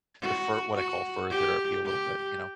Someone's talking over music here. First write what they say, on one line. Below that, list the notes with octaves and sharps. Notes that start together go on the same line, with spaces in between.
the fur what I call "fur therapy," a little bit, you know,
F#4
F#4
G4
G4